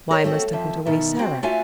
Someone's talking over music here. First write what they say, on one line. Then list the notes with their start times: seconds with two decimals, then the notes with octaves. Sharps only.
"Why must I put away Sarah?"
0.11 A#4 C#5
0.24 A3 C4 F#4
0.53 F2 F3 E5
0.86 B2 D#3 E5
1.19 C4 F#4
1.43 A3 C#4 F4 F#4 E5 G#5